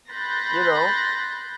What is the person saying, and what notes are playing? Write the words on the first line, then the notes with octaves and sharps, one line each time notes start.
you know?
B5 C6 F#6 G6 A6 A#6